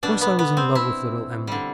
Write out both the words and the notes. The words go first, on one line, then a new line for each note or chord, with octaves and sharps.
Of course I was in love with little Em'ly.
B2 G3 D4
B3
B3
C4
E4
D3 G3